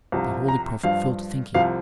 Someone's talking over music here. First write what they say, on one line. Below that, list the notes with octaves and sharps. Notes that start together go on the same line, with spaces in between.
The holy prophet fell to thinking.
C2 C3 F3
A#5
G2 F3 F5
C2 C3 F3 F5